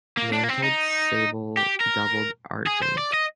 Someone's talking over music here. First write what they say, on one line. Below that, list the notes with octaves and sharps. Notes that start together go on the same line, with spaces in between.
Mantled sable doubled argent.
A#3
D4
A#3
C4
D#4
G4
A#4
G#4
C5
D5
D#5